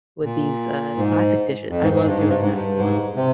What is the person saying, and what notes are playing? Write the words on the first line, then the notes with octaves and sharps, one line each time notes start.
with these, uh, classic dishes. I love doing that as well,
A#2
G#2
F2
G#2
G#2
G2
G#2
G2
G#2
G2
G#2
C3